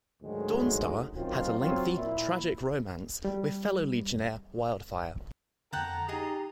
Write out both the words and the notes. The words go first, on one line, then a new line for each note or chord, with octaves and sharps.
Dawnstar had a lengthy, tragic romance with fellow Legionnaire Wildfire.
D2 G#2 D3 D#3 F#3 G#3
F#2 D#3 F#3 C4 F4
F#3 C4 F4
A#2 E4
G3
F2 D3 F#5 G5 A5 A#5
D#4 G4 G#4 D#5 A6 C7